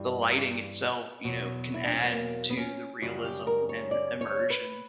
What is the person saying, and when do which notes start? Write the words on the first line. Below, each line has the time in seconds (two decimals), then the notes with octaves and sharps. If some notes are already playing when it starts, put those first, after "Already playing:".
the lighting itself, you know, can add to the realism and immersion
Already playing: G2 E3 G3
1.24 E2 B2 F#3
1.74 E4
1.84 D4
1.94 C#4
2.03 B3
2.13 A#3
2.50 B3
2.57 C#4
3.02 F#2 C#3 G3 F#4
3.25 G4
3.47 A#4
3.69 C#5
3.91 D5
4.21 C#5
4.50 B4